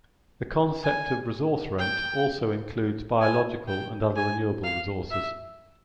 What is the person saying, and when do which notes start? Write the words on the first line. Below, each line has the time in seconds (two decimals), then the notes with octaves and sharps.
The concept of resource rent also includes biological and other renewable resources.
0.83 G#5
1.79 G5
3.21 G#5
3.68 G5
4.16 G#5
4.64 F5
5.11 E5